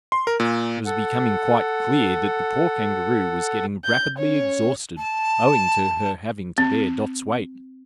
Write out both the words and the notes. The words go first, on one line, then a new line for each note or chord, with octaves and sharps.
It was becoming quite clear that the poor Kangaroo was getting rapidly exhausted, owing to her having to bear Dot's weight.
C6
A#4
A#2
A4 F#5
G6
C#4 C#5
A5
C4